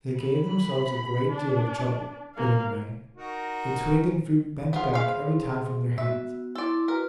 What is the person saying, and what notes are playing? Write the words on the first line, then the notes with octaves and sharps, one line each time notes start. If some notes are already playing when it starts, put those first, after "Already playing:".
They gave themselves a great deal of trouble, but in vain; the twigs and fruit bent back every time from their hands.
B5
D4
A#3 F5
D#4 F#4 A#4
B3 F4 G#4 C5 C6
B4 F5
B3 F#4 E5
E4 A4 D5 C6
F#4 A#4 B4 D5